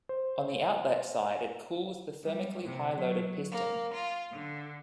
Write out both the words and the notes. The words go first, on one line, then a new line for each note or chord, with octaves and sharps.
On the outlet side it cools the thermically high loaded piston.
C5
G3
C3
F#3
A#3
F4
D3